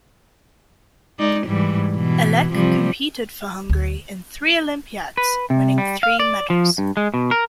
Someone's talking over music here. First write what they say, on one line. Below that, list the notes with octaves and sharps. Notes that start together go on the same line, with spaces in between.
Elek competed for Hungary in three Olympiads, winning three medals.
G#3 D#4 D5
G#2 E3 G3
B2 E3
C3 F3 G3
D2
B4
C3
G3
F5
D5
F3
G2
G#3
B2
A#4